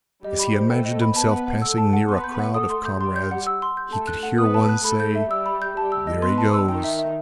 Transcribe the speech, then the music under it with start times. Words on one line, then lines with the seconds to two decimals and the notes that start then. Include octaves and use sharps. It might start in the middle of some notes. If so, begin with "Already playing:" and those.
As he imagined himself passing near a crowd of comrades, he could hear one say, "There he goes!"
0.24 G3 G4 D#5
0.39 B5
0.55 C5
0.70 A3 A4 G5
0.86 D#5
1.01 B5
1.16 B3 B4 A5
1.32 F#5
1.47 F#5
1.62 A3 A4 E6
1.78 A5
1.93 F#5
2.08 B3 B4 C6
2.24 G6
2.39 F#5
2.54 A3 A4 D#6
2.70 C6
2.85 G6
3.00 G3 G4 C6
3.16 G6
3.31 F#5
3.47 E6
3.62 C6
3.77 G6
3.92 A3 A4 A5
4.07 F#6
4.23 F#5
4.38 B3 B4 D#6
4.54 A5
4.69 F#6
4.84 A3 A4 B5
5.00 G6
5.15 E5
5.30 G3 G4 E6
5.46 B5
5.62 G6
5.77 G3 G4 A5
5.92 E6
6.07 D#5
6.22 B3 B4 C6
6.38 A5
6.53 E6
6.68 D#3 D#4 G5
6.84 E5
6.99 E5